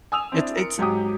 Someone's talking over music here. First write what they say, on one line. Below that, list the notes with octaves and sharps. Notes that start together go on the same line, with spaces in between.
it's it's
G#5 D#6 E6 F7
C4 D4 E4
A#4 C#7 D7
G#2 F#3 G4 D#6